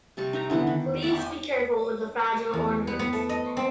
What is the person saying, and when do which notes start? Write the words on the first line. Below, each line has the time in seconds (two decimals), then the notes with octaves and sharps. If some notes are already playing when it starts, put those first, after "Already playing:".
Please be careful with the fragile ornament.
0.17 C3 G3 A5 C#6
0.33 D#4 E5 A#5
0.50 D3 E3 B3 F#5
0.67 D#3
1.02 D5 E5 F#5 C#6
1.18 C5 G#5
2.53 E2
2.87 B3
2.99 B3
3.13 A3
3.29 D#5
3.57 C4